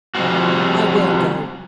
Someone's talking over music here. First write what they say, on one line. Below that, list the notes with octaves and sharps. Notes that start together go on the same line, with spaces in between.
'I will go.
F3 G3 G#3 C4 F4 F#4